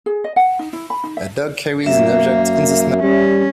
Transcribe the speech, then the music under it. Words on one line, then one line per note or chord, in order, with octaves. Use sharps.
A dog carries an object in the snow.
G#4
D#5
F#5
D#4
E4
B5
D#4
E5
F#2 A#3 E5
G3 C#4